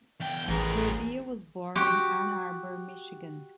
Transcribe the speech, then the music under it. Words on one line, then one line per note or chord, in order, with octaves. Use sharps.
Krehbiel was born in Ann Arbor, Michigan.
E2 G5
A1 A2 E3 G#4 A#4
F#4 G4